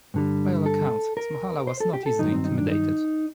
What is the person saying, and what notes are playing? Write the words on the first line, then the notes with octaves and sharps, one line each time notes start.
By all accounts, Smohalla was not easily intimidated.
G2 D3 G3
A4
A#4
C5
A4
G4
A4
G2 D#3 F#3 D#4
C4
D#4
D4
D#4